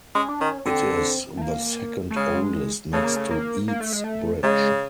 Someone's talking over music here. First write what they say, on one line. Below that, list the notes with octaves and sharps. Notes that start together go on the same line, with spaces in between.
It is the second oldest next to Eads Bridge.
G#3 C#4
D4
D#3 C#4
D3 C4
A3
A#3
A3
C#3 G#3
C#3 A3
A#3
A3
A#3
A#3
A3
G#3
A3
C#3 G#3